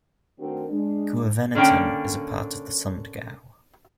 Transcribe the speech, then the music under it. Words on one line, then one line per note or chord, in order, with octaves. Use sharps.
Guevenatten is a part of the Sundgau.
D#3 A3 C4 D4 F#4 A#4
G#3 D4
D3 A#3 C#4 G5